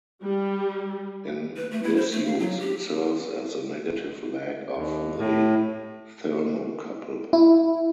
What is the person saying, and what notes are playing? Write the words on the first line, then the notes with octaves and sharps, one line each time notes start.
In this use, it serves as the negative leg of the thermocouple.
G3
B4
A3
E4
C5
A3
F5
F#3
G4
D#2
A2
E4